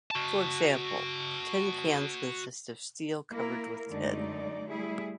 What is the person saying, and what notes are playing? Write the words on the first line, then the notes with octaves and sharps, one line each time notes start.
For example, tin cans consist of steel covered with tin.
F#4 A5
A#3 E4 A#4
F#2 D3 G#3 A3 D#4 D5
G3 A3 E4 G#4